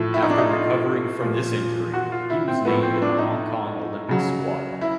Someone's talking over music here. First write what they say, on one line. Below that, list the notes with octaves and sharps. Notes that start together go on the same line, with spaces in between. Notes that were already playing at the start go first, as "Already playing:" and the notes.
After recovering from this injury, he was named in the Hong Kong Olympic squad.
Already playing: A2 F3
E4
D#4
D4
D#4
F4
A#2 F3
F#4
F4
E4
C4
A2 F3 B3
C4
D4
D#4
C#3 F#3
E4